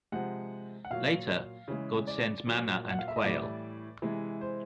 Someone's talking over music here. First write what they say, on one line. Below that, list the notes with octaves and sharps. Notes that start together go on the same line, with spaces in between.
Later God sends manna and quail.
C3 F3 G#3 F#5
F#5
A#2 F#3 F5
C#3 E3 G#3
D5
A#2 F#3
F#5
F5
E5
D#5
A2 E3 G3 D5
C3 E3 G#3
C5